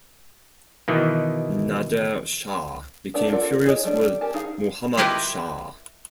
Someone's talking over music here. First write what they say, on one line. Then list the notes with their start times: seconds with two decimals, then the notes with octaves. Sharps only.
Nader Shah became furious with Muhammad Shah.
0.88 B2 D#3 E3
3.14 A3 B3 D4
3.32 F4 A4 A#4 D5 F#5
3.66 E4 G#4 C#5 D#5
3.84 G3 A3 D4
4.21 G4 A#4 G#5 A5
4.34 D#4 G#4 F5
4.97 E4 F4 G4 A#4 B4 D#5